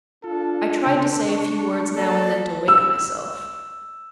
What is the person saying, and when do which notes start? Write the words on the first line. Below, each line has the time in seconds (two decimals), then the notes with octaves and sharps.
I tried to say a few words now and then to wake myself.
0.24 D4 F4 A4
0.87 C#3
1.28 C#6
1.96 A#3 A4 D5
2.68 E6